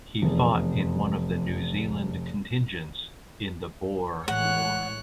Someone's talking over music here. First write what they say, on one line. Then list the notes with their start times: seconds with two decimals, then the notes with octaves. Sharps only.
He fought in one of the New Zealand contingents in the Boer War.
0.22 F1 E2
4.28 A2 E3 G#3 C#5 F#5 F#6